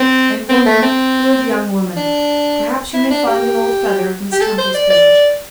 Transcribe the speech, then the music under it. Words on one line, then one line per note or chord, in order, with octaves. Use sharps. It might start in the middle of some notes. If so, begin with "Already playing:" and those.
And, woman, good young woman, perhaps you may find an old feather of Miss Temple's page.
Already playing: C4
C4
A3
C4
D4
E4
D4
G4
G4
A4
C5
D5
D5